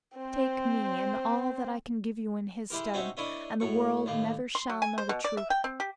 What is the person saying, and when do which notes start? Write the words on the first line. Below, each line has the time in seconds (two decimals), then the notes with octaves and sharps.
Take me and all that I can give you in his stead, and the world never shall know the truth.
0.17 C4 C5
2.70 G#3 E4 G4 A#4
2.94 C4 C#4 D#4 F#4 C#5 E5
3.17 D4 E4 A#4 C#5 D#5 E5
3.60 A2 F#3 C#6
4.06 D#2 A2 A#3
4.55 C6
4.69 F#3
4.82 G#5
4.98 C5
5.09 B2
5.24 D5
5.37 E5
5.50 G5
5.64 C4
5.80 G4